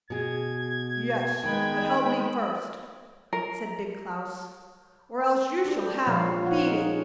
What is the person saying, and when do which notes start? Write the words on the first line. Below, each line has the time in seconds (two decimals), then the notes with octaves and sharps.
'Yes; but help me first,' said Big Klaus, 'or else you shall have a beating!'
0.10 B2 G#4 G#6
1.44 D#3 G#3 B3 G5 B5
3.33 A#4
5.65 D4 G4
5.81 A4
6.07 A#2 F3 A#3 C#5 F5
6.43 F4 C#5 F#5
6.67 D#4 G#4